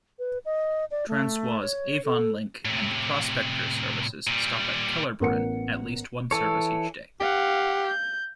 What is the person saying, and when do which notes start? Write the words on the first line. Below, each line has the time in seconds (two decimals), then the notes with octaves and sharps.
Transwa's "Avonlink" and "Prospector" services stop at Kellerberrin, at least one service each day.
0.19 B4
0.45 D#5
0.91 D5
1.08 A3
1.61 C#5
2.05 A4
2.65 A2 C3
4.27 A#2 G3
5.20 A1 B3 A#4 F#5 C#7
6.31 E3 A4 C#5
7.20 G4 F5 F#5
7.87 G6